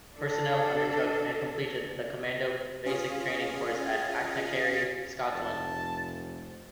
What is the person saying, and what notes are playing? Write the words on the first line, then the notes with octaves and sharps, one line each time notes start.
Personnel undertook, and completed, the Commando Basic Training Course at Achnacarry, Scotland.
D4 A4
C#4 F4 G#4 F5 D#6
F1 A5